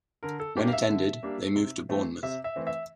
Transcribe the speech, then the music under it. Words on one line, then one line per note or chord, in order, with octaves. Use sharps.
When it ended, they moved to Bournemouth.
D3 A#4
A4
G3 A#3 D4 G4
F5
E5
D3
G3 A#3 D4
C3
E3 A3 C4
C3 E5
E5
E3 A3 C4
E5